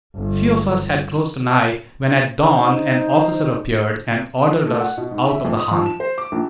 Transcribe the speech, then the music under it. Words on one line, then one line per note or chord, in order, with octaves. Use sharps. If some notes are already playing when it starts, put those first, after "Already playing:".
Few of us had closed an eye when, at dawn, an officer appeared and ordered us out of the Han.
G1
D#4 C5
A3
F#5
B2
G#2
E5
F2
D#6
F3
E7
C5
D6
A#1